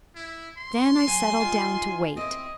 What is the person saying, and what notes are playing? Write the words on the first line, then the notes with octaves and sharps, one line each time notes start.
Then I settled down to wait.
E4
C6
F#3 G#5
D#3 F4
C4 E4 D#5